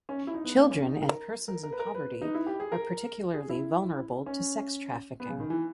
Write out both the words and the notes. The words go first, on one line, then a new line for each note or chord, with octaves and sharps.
Children and persons in poverty are particularly vulnerable to sex trafficking.
C#4
E4
D#4
B3
A#3
C#4
D#4
A#4
A#4
A#4
B4
A#4
B4
D#4
E4
G4
G#4
A#4
G#4
E4
C#4
B3
C#3
D#3
E3